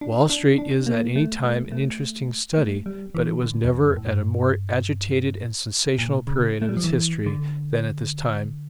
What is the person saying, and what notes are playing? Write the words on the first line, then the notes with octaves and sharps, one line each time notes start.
"Wall Street" is at any time an interesting study, but it was never at a more agitated and sensational period of its history than at this time.
D4
D4
D4
A#3
A3
A3
A3
A3
G3
E3
D3
E2
F2
A2
G2
A#2
C#3
A3
G3
F3
E3
D3